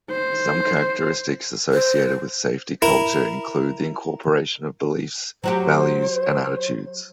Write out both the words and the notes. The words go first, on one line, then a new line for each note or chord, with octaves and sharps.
Some characteristics associated with safety culture include the incorporation of beliefs, values and attitudes.
C5
C5
E4 A#4
F#3 F#4 G4 C5